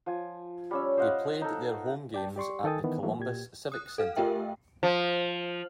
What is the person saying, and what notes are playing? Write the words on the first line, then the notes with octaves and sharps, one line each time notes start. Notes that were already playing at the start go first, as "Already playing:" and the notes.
They played their home games at the Columbus Civic Center.
F3 G#5
G3 C#4 E6
C5 D#5 F5 F#5
D#4 A4
D5 G5 A5
G4 D5 C6 C#6
D#3 A4 G5 G#5 D#6 A6
D#3 E3 B3
E3 F#3 A3 A#3
A#2 G4 G#6
D#6 F#6
A4 F5 F6
A3 F4 G4 A#4 E5 G5
F3